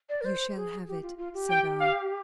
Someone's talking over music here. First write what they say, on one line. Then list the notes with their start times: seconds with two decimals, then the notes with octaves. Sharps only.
"You shall have it," said I.
0.09 D5
0.21 A#4
0.25 C5
0.56 G#4
0.88 G4
1.03 F4
1.18 F4
1.34 G4
1.49 G5
1.80 F5